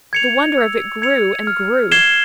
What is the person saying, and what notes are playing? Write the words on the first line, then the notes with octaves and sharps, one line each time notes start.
The wonder of it grew--and grew.
G#6 C#7 F7
E6
G#6 C#7 F7
F6
G#6 C7 E7 G7